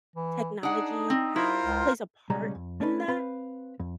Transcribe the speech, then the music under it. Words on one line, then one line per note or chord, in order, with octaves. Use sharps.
technology has plays a part in that?
E3
D4 D#4 G#4 F#5
C4
E4 F4 A#4 C5
C#2
B1 C#3 G3 G#3 C#4 A#5
F2
A3 C#4 D4 A4 B4
C4 B4 F5 B5
F2